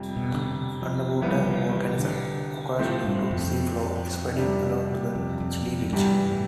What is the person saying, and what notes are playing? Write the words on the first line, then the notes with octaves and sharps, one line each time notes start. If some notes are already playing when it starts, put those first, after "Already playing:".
Underwater volcanism occurs due to seafloor spreading along the Chile Ridge.
Already playing: F2 C3 G3
B2
D3
C3
F3
C2 C3 F3 G3 B3 E4
F3
E3
D3
A2 C3 F3 A3 C4 G4
G2
F2
C3 G3 D4
F2
F2
F2
E2 G2 C3 E3 G3
A2